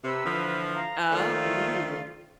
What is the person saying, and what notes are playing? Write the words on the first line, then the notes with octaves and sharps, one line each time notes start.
Oh Ooh.
C3 B4 E6
D3 E3 F3
F5 A#5
D#3 F3 A3 F4 D5